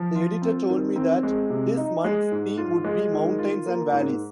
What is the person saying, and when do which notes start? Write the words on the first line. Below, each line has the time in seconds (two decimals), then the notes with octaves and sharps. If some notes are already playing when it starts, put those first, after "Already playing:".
The editor told me that this month’s theme would be mountains and valleys.
Already playing: F3
0.15 F4
0.42 C4
0.69 D#3
0.96 C4
1.23 G#3
1.50 C3
1.77 D#4
2.04 G#3
2.32 G#2
2.58 F4
2.85 G#3
3.13 D#3
3.39 F4
3.66 A#3
3.93 G#2